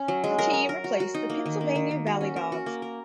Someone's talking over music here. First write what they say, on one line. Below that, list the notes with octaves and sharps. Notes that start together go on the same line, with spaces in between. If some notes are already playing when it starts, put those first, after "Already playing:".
The team replaced the Pennsylvania ValleyDawgs.
Already playing: C#4
F#3
G#3
A#4
A#4
A#4
F#4
F#4
D#4
A#3
D#3
A#3
D#3
D#3
F#4
C#4
A#4
F#4
A#3
A#4